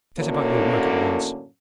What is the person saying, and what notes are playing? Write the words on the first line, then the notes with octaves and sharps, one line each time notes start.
'Set about your work at once.
F#2 A2 D3 F#3 A#3 C#4